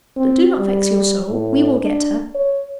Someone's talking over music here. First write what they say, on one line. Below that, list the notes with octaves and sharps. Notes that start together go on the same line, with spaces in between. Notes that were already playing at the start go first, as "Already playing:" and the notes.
But do not vex your soul; we will get her.
C4
G3
A2
D4
C#5